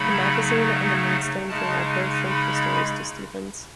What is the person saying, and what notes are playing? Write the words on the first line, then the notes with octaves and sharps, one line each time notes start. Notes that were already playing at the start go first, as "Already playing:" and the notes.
The magazine and the "Maidstone Journal" both linked the story to Stevens.
Already playing: C#3 F#3 A3 D#4 B5
C#3 G#3 D#4 A5
B5